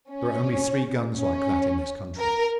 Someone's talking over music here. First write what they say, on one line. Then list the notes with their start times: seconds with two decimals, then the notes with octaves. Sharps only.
There are only three guns like that in this country.
0.10 C#4
1.14 C#4
2.19 A#4